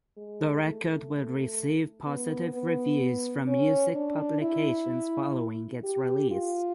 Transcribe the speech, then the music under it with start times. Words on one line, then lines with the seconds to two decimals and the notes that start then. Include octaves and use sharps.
The record would receive positive reviews from music publications following its release.
0.17 G#3
0.64 A3
2.06 B3
2.53 B3
3.48 C#4
3.95 D4
4.42 E4
5.84 G4
6.31 F4